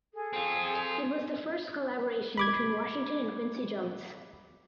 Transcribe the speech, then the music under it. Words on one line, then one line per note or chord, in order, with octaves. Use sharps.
It was the first collaboration between Washington and Quincy Jones.
G#4 A4
C4 F4
B5 D6 G#6